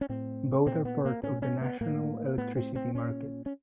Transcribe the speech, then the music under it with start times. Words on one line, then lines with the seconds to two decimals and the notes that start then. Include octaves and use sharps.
Both are part of the National Electricity Market.
0.01 C#4
0.09 A2 C4
0.66 A#2 C4
0.85 B3
1.05 A#3
1.23 A2 C#4
1.42 C#4
1.61 B3
1.81 A2 A#3
2.38 A2 B3
2.56 C4
2.75 C4
2.95 A#2 C#4
3.46 C#4